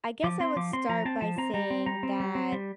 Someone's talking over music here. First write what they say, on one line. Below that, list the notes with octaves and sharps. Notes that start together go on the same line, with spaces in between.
I guess I would start by saying that
F3 D6
C4 C6
F3 D6
C4 C6
F3 A#5
C4 A5
F3 A5
C4 A#5
G3 A#5
C4
G3 A#5
C4
G3
C4
G3